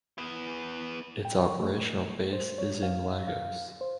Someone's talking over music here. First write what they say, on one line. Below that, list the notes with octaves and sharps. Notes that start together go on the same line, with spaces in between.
Its Operational base is in Lagos.
B3 E4
G5
C#6
A3
C5
C#5
F5
F5
C5